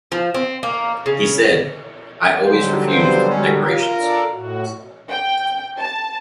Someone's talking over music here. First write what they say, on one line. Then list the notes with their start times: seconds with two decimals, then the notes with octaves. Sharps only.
He said: I always refused decorations.
0.12 F3
0.34 C4
0.63 A#3
1.06 C#3
2.45 G#2 D3 F#3 G3 C5
2.88 F3 B3 C5
3.30 G#3 C#4
3.65 F4 A#4
3.99 D4 A4 D5
4.32 A2 F#4
5.09 G5
5.78 A5